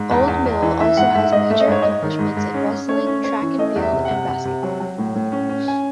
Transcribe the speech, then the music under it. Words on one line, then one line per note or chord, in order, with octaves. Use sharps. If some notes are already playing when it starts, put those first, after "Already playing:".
Old Mill also has major accomplishments in wrestling, track and field and basketball.
Already playing: G#2
E2
E2
E2
E3
E3 E5
G#2 F#5
G#2 E5
G#2 D#5
A3 E5
D#5
G#2 C#5
G#2 D#5
D#3
G#2
G#2
C#4
C#4
A3 C#5
C#4
C#4 C#5
E3
A3 D#5
E2
E5
C3
F#5
C3
C3
C3
F#3
F#3
A2
A2
C#4
C#4
G#5